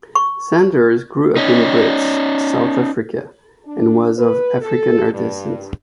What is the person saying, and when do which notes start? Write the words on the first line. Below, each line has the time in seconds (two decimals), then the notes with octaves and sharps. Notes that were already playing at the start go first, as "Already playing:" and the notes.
Sanders grew up in Brits, South Africa, and was of Afrikaner descent.
0.15 C#6
1.37 C#4 D#4
3.66 D4
4.18 B4
4.62 A4
5.13 G2